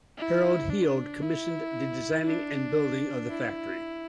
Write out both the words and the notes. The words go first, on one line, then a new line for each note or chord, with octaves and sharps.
Harold Heal commissioned the designing and building of the factory.
E4
D4
E4
D4
E4